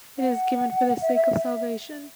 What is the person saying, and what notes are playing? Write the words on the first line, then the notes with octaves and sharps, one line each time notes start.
It is given for the sake of salvation.
F#5
E5
E5